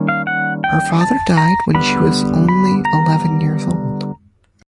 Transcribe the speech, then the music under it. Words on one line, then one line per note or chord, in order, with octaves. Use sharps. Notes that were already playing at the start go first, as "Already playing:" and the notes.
Her father died when she was only eleven years old.
Already playing: D#3 G3 A#3 C#4
F5
F#5
G5
A5
A#5
D3 G3 B3 B5
B5
A#5